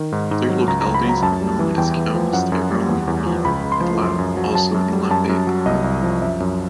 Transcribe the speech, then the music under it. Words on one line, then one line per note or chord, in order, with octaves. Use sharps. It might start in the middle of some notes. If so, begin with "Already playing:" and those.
Other localities are known in counties Tyrone, Meath and Louth, also in Lambay Island.
Already playing: D#3
G#2
G#2
F#3
C#2 A#5
A#5
C#2
B5
F#3 A#5
F#2 A5
G3
E3
E2 G5
E2
F3
F#2 F#5
F#2
G3
E2
E2
F3
C#2 B5
C#2
C6
F3
F#2
F#2
F#3
F#2 A5
F#2
G3
F#2 A5
F#2
F#3
C2 D#5
C2
F3
F#2 E5
F#2